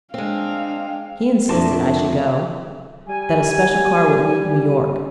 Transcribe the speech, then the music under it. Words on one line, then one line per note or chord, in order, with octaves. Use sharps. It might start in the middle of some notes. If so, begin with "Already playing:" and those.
He insisted I should go--that a special car would leave New York.
G#3 C4 D4 F5
F2 A3 D4 F4 A#4 A5 D6
G3 G#5